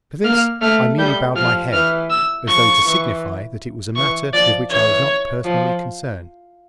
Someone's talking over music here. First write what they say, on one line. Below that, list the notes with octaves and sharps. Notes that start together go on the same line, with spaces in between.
To this I merely bowed my head, as though to signify that it was a matter with which I was not personally concerned.
A#3 F6
A3 F6
G3 G6
F3 F6
E3 F6
E6
F3 C#6
E3
E3 C#6
F3 D5
E3 C#5
F3